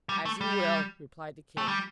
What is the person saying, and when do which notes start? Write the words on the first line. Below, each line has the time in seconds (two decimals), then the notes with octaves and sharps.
'As you will,' replied the king.
0.09 G3
0.25 A3
0.41 G3
1.58 A3
1.68 G3